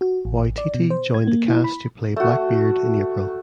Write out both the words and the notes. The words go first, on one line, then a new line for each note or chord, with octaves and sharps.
Waititi joined the cast to play Blackbeard in April.
F#4
A1
D5
B2
C5
G#6
A#3
E4
B5
A3 F#4